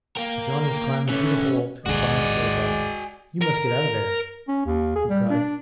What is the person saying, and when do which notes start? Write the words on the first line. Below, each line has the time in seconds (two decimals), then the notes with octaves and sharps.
But John was climbing through the hole to the barn floor above. "You must get out of there!" he cried.
0.17 A#3 A#4 G5
1.09 E3 A3 C#4
1.86 A1 D#2 G#2 G#3 F#4 G#4 D5
3.42 A#4
4.48 C#4
4.66 D#2
4.96 G#4
5.10 G3
5.30 D4